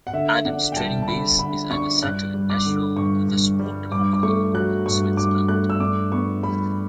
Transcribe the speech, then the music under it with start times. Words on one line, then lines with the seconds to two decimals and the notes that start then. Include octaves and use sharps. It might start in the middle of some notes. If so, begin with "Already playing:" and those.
Adams' training base is at the Centre national de sport de Macolin in Switzerland.
0.07 F#5
0.13 D3 E5
0.45 D4 F#5
0.72 G5
0.77 G3 A5
1.03 A5
1.07 D3 B5
1.39 D3 B5
1.70 D4 C#6
2.02 G2 F#6
2.34 G3
2.50 D6
2.66 D3
2.96 G2 C#6
3.28 G2
3.59 G3
3.91 G2 D6
4.13 D6
4.23 A3 C#6
4.54 F#3 F#6
4.86 G2 C#6
5.17 G2 D6
5.48 A3 F#6
5.70 E6
5.80 D4 D6
6.12 B3 C#6
6.43 G3 B5